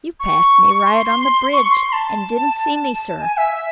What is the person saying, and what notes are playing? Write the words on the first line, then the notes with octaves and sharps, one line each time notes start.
You passed me right on the bridge, and didn't see me, sir.
C#6
C6
C#6
C6
C6
A5
G#5
E5
E5